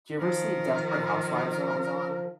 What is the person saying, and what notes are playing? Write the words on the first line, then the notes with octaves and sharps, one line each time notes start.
Do you ever see Desperate Housewives when it was on?
D#3 F3 A#4